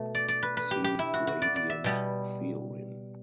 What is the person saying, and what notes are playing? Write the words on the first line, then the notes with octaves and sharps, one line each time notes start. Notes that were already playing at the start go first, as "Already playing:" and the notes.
See gradient theorem.
Already playing: B2 A3
D5
D5
B4
B4
G4
G4
E4
F#4
F#4
D5
D5
E5
B2 G3 B3